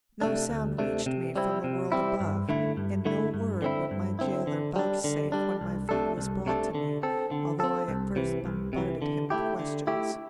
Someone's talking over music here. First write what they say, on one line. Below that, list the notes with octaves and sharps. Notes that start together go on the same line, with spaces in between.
No sound reached me from the world above and no word would my jailer vouchsafe when my food was brought to me, although I at first bombarded him with questions.
C3 A3 D4
D2
C3 A3 D4
C3
G3 C4 E4
C3
G3 C4 E4
G2
D3 A3 E4
G2
D3 A3 E4
G2
D3 C4 E4
G2
D3 C4 E4
D3
G3 D4
D3
G3 D4
C2
C3 A3 D4 A4
C2
C3 A3 D4 A4
D3
C4 A4
D3
C4 A4
C2
C3 E3
C2
C3 E3
D3
A3 E4 G4
D3
A3 E4 G4